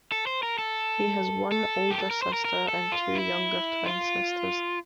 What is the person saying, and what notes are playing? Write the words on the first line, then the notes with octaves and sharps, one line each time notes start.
He has one older sister and two younger twin sisters.
A4
C5
A#4
A4
A4
G4
A4
A#4
C5
A#4
A#4
A4
F4
E4
F4